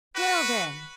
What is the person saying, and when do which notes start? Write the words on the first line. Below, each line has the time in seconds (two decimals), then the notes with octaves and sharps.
"Well then!"
0.14 F#4 B4